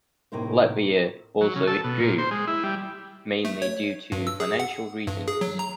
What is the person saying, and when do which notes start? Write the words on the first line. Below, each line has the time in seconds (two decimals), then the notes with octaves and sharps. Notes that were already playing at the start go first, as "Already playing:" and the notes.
Latvia also withdrew, mainly due to financial reasons.
0.32 A2 C3 A#3 D#4 C5
1.41 F#3
1.56 C#3
1.67 A4
1.84 B2
2.00 A#2
2.18 C5
2.31 G#3
2.47 E4
2.63 G3
3.45 A3
3.62 C#5
4.12 G2
4.27 E6
4.40 G#4
4.60 F#5
5.07 G2
5.28 G#4
5.41 F#3
5.59 A#5